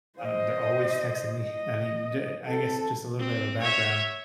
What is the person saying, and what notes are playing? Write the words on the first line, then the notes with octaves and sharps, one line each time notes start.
um, they're always texting me I mean, the I guess, just a little bit of a background.
C5 D#5
D#5
C4 A4
C4
C#5 E5